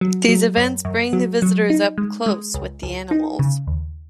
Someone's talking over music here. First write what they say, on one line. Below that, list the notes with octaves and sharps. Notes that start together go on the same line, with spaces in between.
These events bring the visitors up close with the animals.
F#3
F#3
F#2
F#2
F#3
F#3
D#4
G#3
G#3
C#2
C#2
D#4
C#3
D#2